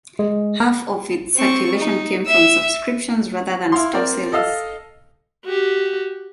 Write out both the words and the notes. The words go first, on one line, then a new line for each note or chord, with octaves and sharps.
Half of its circulation came from subscriptions rather than store sales.
G#3
C4 C#6
D#4
E5 E6
E4 F5 C6
C4 A#4 D5
A4 D#5 F5 E6
F#4 G4